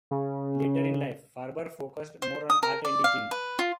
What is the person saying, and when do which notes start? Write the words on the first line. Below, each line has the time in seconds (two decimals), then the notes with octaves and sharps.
Later in life, Farber focused more on art and teaching.
0.11 C#3
2.22 C5
2.50 D#6
2.63 A#4
2.85 D5
3.04 F5
3.31 B4
3.59 F4